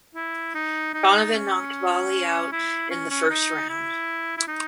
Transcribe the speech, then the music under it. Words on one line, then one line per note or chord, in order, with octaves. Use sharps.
Donovan knocked Balli out in the first round.
E4
D#4
D#4
C#4
E4
C#4
C#4
D#4
E4
E4
D#4